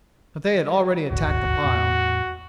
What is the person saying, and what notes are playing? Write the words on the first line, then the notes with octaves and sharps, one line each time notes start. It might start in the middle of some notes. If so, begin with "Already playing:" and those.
But they had already attacked the pile.
D#1 G#1 D2 F#4
E2 A2 B3